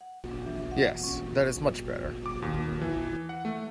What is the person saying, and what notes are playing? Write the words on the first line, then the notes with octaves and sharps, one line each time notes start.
Yes, that is much better.
F#5
D4
E3
F#5
C#4
D6
D#2
E3
F#5
A3